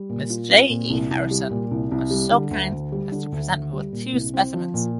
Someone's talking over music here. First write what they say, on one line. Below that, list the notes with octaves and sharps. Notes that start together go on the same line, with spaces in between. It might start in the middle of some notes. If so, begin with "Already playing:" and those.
Miss J. E. Harrison was so kind as to present me with two specimens.
Already playing: G3
A#2
F4
C4
A#2
C2
C2
G3
A#2
C2
C2
G3
D3
D2
D2
G3
D3
D2
D2
G3
A#2
C2
C4
F3
A#2